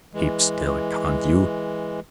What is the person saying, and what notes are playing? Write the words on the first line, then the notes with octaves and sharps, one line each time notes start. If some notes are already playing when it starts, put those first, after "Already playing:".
"Keep still, can't you?"
E3 G#3